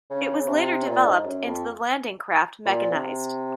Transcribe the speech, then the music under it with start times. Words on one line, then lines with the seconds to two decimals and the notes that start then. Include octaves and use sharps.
It was later developed into the landing craft mechanised.
0.10 C#3
0.40 C#3
0.48 C3
0.87 A#2
1.06 G#2
1.25 F#2
1.44 F2
2.65 A#2
2.91 C3